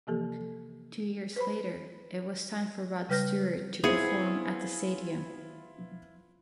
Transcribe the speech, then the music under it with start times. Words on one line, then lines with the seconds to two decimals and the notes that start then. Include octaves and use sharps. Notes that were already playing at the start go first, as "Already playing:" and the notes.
Two years later, it was time for Rod Stewart to perform at the stadium.
0.07 C3 E3 F3 A#3 G4 A4
1.36 B4 C5 B5
3.09 C#3 G3 B4 F6 G6 A#6
3.84 B3 C4 E4 F4 G#4 C#7